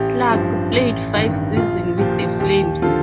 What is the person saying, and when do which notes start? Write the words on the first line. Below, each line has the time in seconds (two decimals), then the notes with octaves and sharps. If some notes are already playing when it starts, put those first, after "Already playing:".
Clark played five seasons with the Flames.
Already playing: A1 G4
0.31 G2 F3
0.73 A1
1.14 G2 D#3
1.56 A#1 F4
1.98 A#2 F3 G4
2.40 D#2 G4
2.82 D3 F3 F4 A4